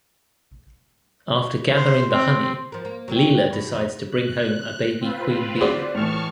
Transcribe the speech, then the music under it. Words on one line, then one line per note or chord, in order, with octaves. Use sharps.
After gathering the honey, Leela decides to bring home a baby queen bee.
C5
C4
F3 A#4
A#3
F#3 A#3 C4
G4
B2
F2 A#2 D#5
F#6
C4 F4 B4
F#4 G#4 C5 D5
A2 E3 A5 C#6 F6